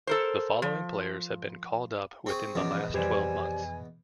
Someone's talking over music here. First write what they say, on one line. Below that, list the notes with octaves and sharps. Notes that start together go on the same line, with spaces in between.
The following players have been called up within the last twelve months.
A4 A#4 C5
F3
C4 G#4 C#6
E2 B2 F3 C#4 D6
F2 G4 B4 C5 D5 G#5 G#6